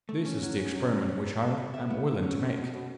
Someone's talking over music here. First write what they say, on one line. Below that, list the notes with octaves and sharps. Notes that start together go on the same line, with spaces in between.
This is the experiment which I am willing to make.
A3
C#4
F#3
C#4
F#3
C#4
F#3
B3
A4
B3
E5
B3
A4
C#4
B2
B2
B2